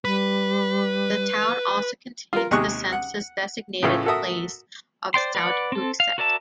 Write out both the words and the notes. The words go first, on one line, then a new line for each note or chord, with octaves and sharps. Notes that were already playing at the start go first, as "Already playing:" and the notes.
The town also contains the census-designated place of South Hooksett.
G3 B4
F4 A#4
D#2 C3 G#3 G#4 C#6 F#6
F#5
A2 C#3 E3 A3 F4 A4
F#4 A4 A#4 E5 D#6
C5 D5 G5 C6
B4 D5 F#5
C4 A4
F5
F#4 A#4 D5 E5 A5